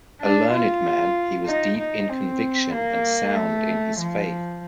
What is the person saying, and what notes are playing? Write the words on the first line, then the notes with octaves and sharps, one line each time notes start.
A learned man, he was deep in conviction and sound in his faith.
D4
F4
D#4
D#4
C4
A#3
A3
F3